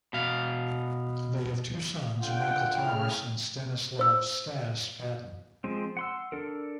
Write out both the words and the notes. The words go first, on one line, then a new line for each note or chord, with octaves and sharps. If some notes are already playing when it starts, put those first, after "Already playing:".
They have two sons, Michael Thomas, and Stanislav "Stas" Patten.
B2 F5
D3 F4 F#5 G5
A2 C#3 G5 F6
C5 E6
F3 G#3 C4
F#5 C6 E6
D4 A4 A#4